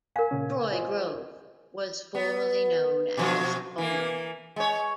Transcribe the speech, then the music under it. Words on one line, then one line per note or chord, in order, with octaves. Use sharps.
Troy Grove was formerly known as Homer.
A#4 F5 G#5
A#2 C#3 C#4
F4 C5 D#5
B3
B2 F3 F#3
E3 A#3
G#3 C#5